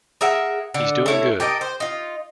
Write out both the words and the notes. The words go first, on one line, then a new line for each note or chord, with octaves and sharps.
He's doing good.
G#4 A#4 E5 F#5
D3
A3 E4 C#5
G4 A4 A#4 D#5
C5
D#4 F4